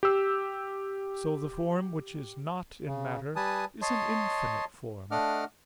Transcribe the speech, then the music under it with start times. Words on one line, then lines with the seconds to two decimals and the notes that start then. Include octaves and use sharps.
So the form which is not in matter is an infinite form.
0.03 G4 E6
2.86 C#3
3.36 G3 B4 G#5 A5 D#6
3.82 C#5 D#5 A5 C6
5.11 A3 D4 D#5 F#5 D6 F6